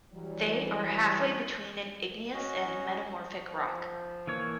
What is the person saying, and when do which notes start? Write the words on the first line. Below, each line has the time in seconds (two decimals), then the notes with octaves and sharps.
They are halfway between an igneous and metamorphic rock.
0.13 E3 F#3 G3
2.34 C#4 F#4 D#5
3.47 F3
4.27 E3 A#3 C#5